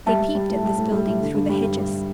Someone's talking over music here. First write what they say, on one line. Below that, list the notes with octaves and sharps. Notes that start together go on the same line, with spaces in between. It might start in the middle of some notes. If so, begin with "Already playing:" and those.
They peeped at this building through the hedges.
G3 E5 A5
G3
G3
A2
G3
A2
G3
A2
D3
G2
G3
G2
G3